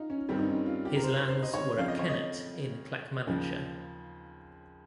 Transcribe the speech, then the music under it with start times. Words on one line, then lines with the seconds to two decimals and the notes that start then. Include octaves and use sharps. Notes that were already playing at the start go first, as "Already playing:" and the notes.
His lands were at Kennet in Clackmannanshire.
Already playing: D#4 F4
0.10 C#4
0.29 G2 D#3 G3 C4
0.39 D#4
0.47 C#4
0.66 F4
0.85 G4
0.96 A#4
1.03 C5
1.28 C5
1.43 D#5
1.54 C#5
1.78 F2 C#3 F3 F5
1.88 D#5
1.99 C#5
2.09 D#5
3.27 D#2 C#3 F3